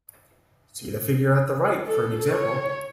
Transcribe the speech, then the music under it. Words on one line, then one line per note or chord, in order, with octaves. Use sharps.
See the figure at the right for an example.
A4
C#5